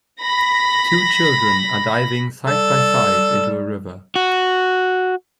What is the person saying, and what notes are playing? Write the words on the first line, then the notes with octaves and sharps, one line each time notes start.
Two children are diving side by side into a river.
B5 A#6
G3 A4
F#4